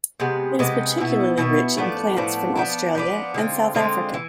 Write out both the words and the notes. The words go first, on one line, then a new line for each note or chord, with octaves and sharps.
It is particularly rich in plants from Australia and South Africa.
C3 G#3 B3
C3 G#3 B3
B2 B3 E4
B2 B3 E4
A2 F3 B3 D4
A2 F3 B3 D4
F3 B3 D4
F3 B3 D4
D3 G#3 C4 F4
D3 G#3 C4 F4
E3